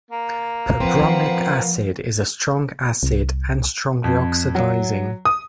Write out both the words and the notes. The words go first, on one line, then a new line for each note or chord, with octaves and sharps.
Perbromic acid is a strong acid and strongly oxidizing.
A#3
F3 C4 B4 F#5
C2
F2
F#3
D#6